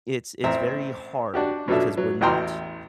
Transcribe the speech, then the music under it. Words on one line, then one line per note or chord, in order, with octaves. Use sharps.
it's it's very hard because we're not
A1 C4 E5 A#5
D4 F#4 G4
B2 F#3 C#4 D4 A4 E5
F#3
A1 E2 F#4 G5 A#5 C6